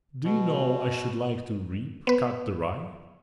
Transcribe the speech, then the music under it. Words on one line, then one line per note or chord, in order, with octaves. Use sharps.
But do you know, I should like to reap, cut the rye?
B2
B3 B4